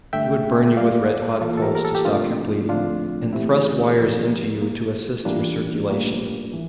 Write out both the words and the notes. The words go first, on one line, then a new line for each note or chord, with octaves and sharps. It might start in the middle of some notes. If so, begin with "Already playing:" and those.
He would burn you with red-hot coals to stop your bleeding, and thrust wires into you to assist your circulation.
G2 D3 A3 E5 G5
A2 G3 A#3 D5 F5
A2 E3 A#3 F4 A4
A4
G4 A#4
A#4
A4
G4
F2 C3 F3 A3 C4 D4 F4
D2 D3 F3 A3 C4 D4 F4
G2 E3 A3 C4 E4 G4
D2 D3 F3 A#3
A#2 G3 A#3
G2 E3 G3 A#3 D4 F4
A2 G3 A#3
E3